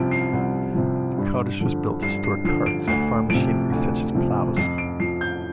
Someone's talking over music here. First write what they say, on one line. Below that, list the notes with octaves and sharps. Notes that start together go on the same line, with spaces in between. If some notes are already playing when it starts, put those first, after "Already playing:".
The cottage was built to store carts and farm machinery such as ploughs.
Already playing: C2 C3 F3 D7
C7
C2
C3 F3
G2
D3 F3
G2 C7
C7
D3 F3 C7
D7
D2 C7
C3 F3 D7
D2
C3 F3
F2 C7
D7
F3 C7
G6